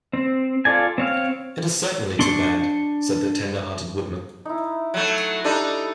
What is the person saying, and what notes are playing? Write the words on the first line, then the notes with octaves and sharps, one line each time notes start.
It is certainly too bad! said the tender hearted Woodman.
C4
F4 A4 D5 G#5
C4 C#5 F5
D4 C6 C#6
D#4 E4
F#3 A3
G3 D4 D#4 A4 D6